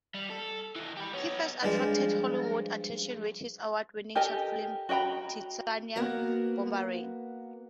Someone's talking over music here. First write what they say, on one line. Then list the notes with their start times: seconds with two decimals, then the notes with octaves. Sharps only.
He first attracted Hollywood's attention with his award-winning short film "Titsiana Booberini".
0.14 G3
0.30 A4
0.76 E3 D#5
0.97 G4 B5
1.13 B3 C#5
1.63 G2 F3 G#3
4.15 G4 A4 A#4 D#5 G#5
4.89 F#4 D#5 G5 A#5 B5
5.96 A#3 B3 F#4 A#4